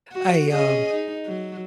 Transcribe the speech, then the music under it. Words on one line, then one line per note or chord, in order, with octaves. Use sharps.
I, um,
F#4
C#4 G#4 D#5
D#4
F#3